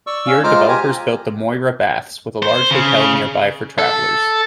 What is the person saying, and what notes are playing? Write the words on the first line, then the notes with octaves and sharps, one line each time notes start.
Here developers built the Moira Baths, with a large hotel nearby for travellers.
D5 C#6 E6
C#4 F5 E6
G#3 F4 C5 A#5 D6 F6
F4 G4 G#5 A#5
C5
C#3
A4